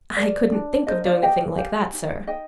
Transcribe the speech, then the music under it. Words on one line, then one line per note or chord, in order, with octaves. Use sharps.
"I couldn't think of doing a thing like that, sir."
A#4 D5
D4
A#4 C5 D#5
D5 F5
G4 D#5 G5
G4 F5 G#5
D#4
D#4 D#5 G5